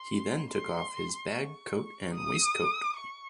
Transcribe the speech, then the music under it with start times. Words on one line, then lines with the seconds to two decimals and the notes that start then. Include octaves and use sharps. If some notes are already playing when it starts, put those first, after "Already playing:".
He then took off his bag, coat, and waistcoat.
Already playing: C6
0.50 C6
1.32 C#6
2.14 D#6
2.96 C#6